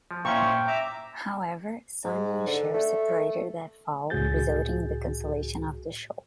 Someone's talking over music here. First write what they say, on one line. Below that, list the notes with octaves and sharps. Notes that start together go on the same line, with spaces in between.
However, Sonny and Cher separated that fall, resulting in the cancellation of the show.
F3
A#2 C#4 E4 C5 F5 G5 C#6
E5 A#5 D6
G#2
D3
A3
C#2 A2 F#4 G#4 G6 A6